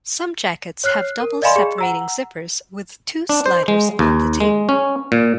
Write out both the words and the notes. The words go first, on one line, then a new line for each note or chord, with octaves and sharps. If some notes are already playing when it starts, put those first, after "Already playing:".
Some jackets have double-separating zippers with two sliders on the tape.
C#5 F6 F#6 C7
A#4
D5 D#5 F5 G#5 B5 C6
G#4
F#5 A#5 E6
D4
C5
G#3
D#2
G#3
C#4
A#2